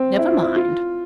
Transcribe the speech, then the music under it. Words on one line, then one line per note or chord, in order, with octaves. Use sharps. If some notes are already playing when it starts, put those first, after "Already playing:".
Never mind.'
Already playing: C4
E4
F4
E4
F4